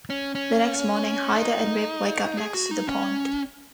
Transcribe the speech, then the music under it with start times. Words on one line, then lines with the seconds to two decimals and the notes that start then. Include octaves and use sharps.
The next morning, Hyder and Rip wake up next to the pond.
0.10 C#4
0.35 C#4
1.36 D#4
2.37 G#4
2.54 F#4
2.71 D#4
2.88 C#4